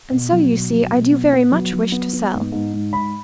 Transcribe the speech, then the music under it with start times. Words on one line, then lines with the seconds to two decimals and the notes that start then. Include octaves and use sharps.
"And so you see, I do very much wish to sell."
0.11 B2
0.32 F#3
0.52 B2
0.72 F#3
0.92 B2
1.12 B3
1.33 B3
1.52 F#3
1.73 F#3
1.92 B3
2.13 B3
2.33 G#2
2.52 G#2
2.73 G#2
2.93 G#2 B5